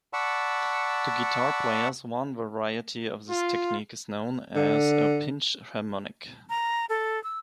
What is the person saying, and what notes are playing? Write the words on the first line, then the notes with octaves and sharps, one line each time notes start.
To guitar players, one variety of this technique is known as a pinch harmonic.
D5 F#5 A5 B5 C#6 E6
F4
D3
A#5
A4
E6